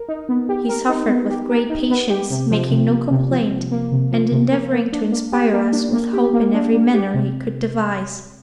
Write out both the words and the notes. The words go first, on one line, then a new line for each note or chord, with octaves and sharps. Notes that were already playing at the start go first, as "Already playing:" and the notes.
He suffered with great patience, making no complaint, and endeavouring to inspire us with hope in every manner he could devise.
Already playing: A#4
D#4
B3
G4
A#4
D#4
B3
G4
A#4
D#4
B3
G4
C3
F3
C3
A#3
C3
F3
C3
A#3
C3
F3
C3
A#3
A#3
D4
A#3
G4
A#3
D4
A#3
G4
A#3
D4
A#3
G4
C3